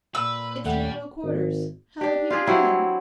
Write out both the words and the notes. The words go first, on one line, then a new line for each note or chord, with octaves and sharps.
It's narrow quarters; how would he begin?'
A#2 B4 E6
D#2 G3 A3 F#5
G#1
D4 G4
F4 G4 G#4
F#3 C4 E4